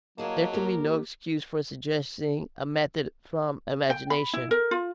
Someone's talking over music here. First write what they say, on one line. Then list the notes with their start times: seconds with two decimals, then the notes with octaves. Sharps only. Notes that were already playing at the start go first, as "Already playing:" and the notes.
There can be no excuse for suggesting a method from imagination.
0.18 F#3 A#3 E4 G#4 D#5 A5
0.53 D#2 A#3 G4 A#4
3.90 G5
4.10 B5
4.34 E4
4.51 A#4
4.71 F4